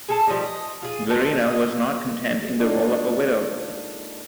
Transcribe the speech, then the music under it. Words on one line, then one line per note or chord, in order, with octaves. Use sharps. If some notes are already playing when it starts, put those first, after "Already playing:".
Verina was not content in the role of a widow.
G#4 A4 A5
F3 G3 A3 D#4
D#5
F4 G#4
F3 D#4 A4 A#4
D#5
G#3 A#3 D4 D#4 F4 A4